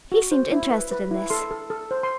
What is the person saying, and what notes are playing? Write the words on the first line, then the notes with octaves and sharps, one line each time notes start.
He seemed interested in this.
F#4
C5
E4
B4
B4
E4
A4 C6
A4
A4
C5
C6